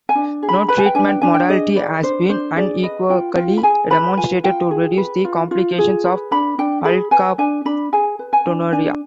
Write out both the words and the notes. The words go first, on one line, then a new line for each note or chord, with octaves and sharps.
No treatment modality has been unequivocally demonstrated to reduce the complications of alkaptonuria.
G#5
D4
G#4
B5
B4 B5
G#5
G5
D4 G#5
G5
D4 G#5
G5
G#4 D#5
B4 D5
D4 C5
D4 C5
G#4 D5
B4 D#5
F4 G5
F4 G5
B5
G#4 G#5
B4 B5
F4 G#5
F4 G5
G#4
B4
F4
F4
G#4
B4
D4 B5
D4 G5
G#4 B5
B4 G#5
D4 G#5
D4 B5
G#4 G#5
B4
G#5
D4
D4 G#5